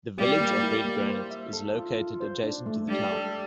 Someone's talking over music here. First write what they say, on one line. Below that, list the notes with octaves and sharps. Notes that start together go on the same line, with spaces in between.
The village of Redgranite is located adjacent to the town.
G3 G4
A#3
E4
A#3
C5
E5
A4
F4
F4
C5
D4
A3
G3 D4
A4